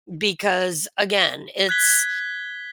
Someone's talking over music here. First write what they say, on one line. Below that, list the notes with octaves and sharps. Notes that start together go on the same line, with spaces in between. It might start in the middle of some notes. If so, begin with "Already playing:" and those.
because, again, it's
F#6 G#6 B6 G7